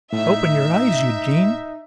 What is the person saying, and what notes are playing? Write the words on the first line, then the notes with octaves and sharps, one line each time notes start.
Open your eyes, Eugene?
A2 D#4 E5